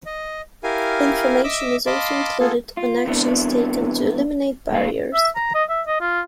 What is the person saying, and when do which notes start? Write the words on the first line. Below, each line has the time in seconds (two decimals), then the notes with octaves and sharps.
Information is also included on actions taken to eliminate barriers.
0.06 D#5
0.64 E4 G4 A#4 F5 G#5
1.44 D#5 E5 D6 E6
1.86 D#5 F5 A5 B5 C6 D6
2.39 A#3 B3 F4 G#4 A4
2.77 F4
3.06 C3 E3 B3 D4
4.70 C2 A#2 F5
5.14 E5
5.36 A#5
5.55 D#5
5.69 E5
5.87 D#5
6.01 F4